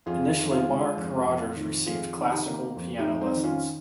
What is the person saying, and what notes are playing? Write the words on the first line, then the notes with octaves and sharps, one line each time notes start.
Initially Mark Rogers received classical piano lessons.
F2 F4 G#4
D#3
F4 G#4
G#3
F2
F2
D#3
F2 F4 G#4
D#3
D#4 G4
A#3
F2
D#4 G4
F2
C4 D#4
D#3
C#4 F4